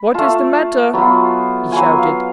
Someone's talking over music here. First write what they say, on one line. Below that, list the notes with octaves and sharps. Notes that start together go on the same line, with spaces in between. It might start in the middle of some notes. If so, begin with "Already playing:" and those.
"What is the matter?" he shouted.
Already playing: B5
A3 F4 A5
F#3 B3 F4
F#3 B3 F4 G#5
F5